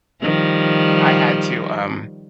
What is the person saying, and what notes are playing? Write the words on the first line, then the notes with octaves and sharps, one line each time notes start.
I had to, um
D#3 F3 G3